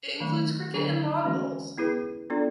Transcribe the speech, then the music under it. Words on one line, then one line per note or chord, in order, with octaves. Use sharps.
It includes cricket and lawn bowls.
D#3 F#3 A3
D3 F#3 B3 D4
E3 G#3 C#4 F#4
B3 E4 G#4 B4
B3 D4 F4 A4 D5